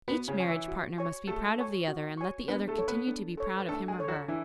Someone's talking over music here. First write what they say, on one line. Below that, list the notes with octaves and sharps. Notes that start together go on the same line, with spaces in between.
Each marriage partner must be proud of the other and let the other continue to be proud of him or her.
B3 F#4
C#3 C#4
C#5 G#5 C#6
E3 E4
F#4
C#5 G#5 C#6
A3 F#4 A4
C#5 G#5 C#6
F#4
C#5 G#5 C#6
B3 D4 B4
A3 A4
A4 C#5
B3 B4
D4
A4 C#5
B4
A3 D4 A4
G#3 G#4
A4 C#5
F#3 F#4
E3 D4 E4